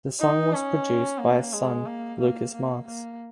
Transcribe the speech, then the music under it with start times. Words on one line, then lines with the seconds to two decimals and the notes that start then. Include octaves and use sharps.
The song was produced by his son Lucas Marx.
0.20 D#4
0.53 C#4
1.20 A#3
1.53 G#3
1.86 A#3
2.20 A#3
2.54 A#3
2.87 A#3